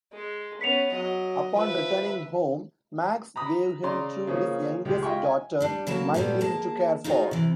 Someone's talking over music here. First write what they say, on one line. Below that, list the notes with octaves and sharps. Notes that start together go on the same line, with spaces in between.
Upon returning home, Max gave him to his youngest daughter, Mylene, to care for.
G#3
B3 C#4 B6 C#7 F7
F#3 D#5
F3 B4 E5
A#5 B5 D#6
C#3 D5 A#5 C6
C#3 F3 A#3 C#4
C#2 G#3 G4
F4 D#5 E5 G5 G#5 C#6
G#5
G3 D4
C#3 F#3 A#3 A4 A5
A#2 F3 G3 A3 B3
A#3 G#4 A#4 A5
D#4 F4 F#4 G#4
C3 E3